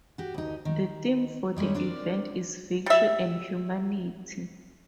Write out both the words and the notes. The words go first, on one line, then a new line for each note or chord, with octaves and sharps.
The theme for the event is "Victory and Humanity".
F#4 G4
D2 D#4
D#3
D#3 G3 G#3 C#5
C4 D4 A#4 D5
G3 E5